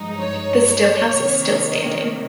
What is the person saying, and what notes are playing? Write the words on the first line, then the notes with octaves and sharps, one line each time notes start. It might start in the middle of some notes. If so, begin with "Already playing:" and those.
The stillhouse is still standing.
Already playing: G2 F3 G#3 D#4
C#5
C3 D#3 A#3